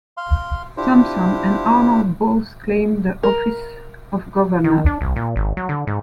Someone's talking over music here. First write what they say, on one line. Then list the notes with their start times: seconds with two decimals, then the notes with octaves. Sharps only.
Thompson and Arnall both claimed the office of governor.
0.17 F5 C6
0.77 D4 E4 F4 G4 C5
3.23 A#4
4.64 D#3
4.86 D4
5.01 C2
5.16 A#2
5.36 G#1
5.57 F#3
5.69 D3
5.87 G#2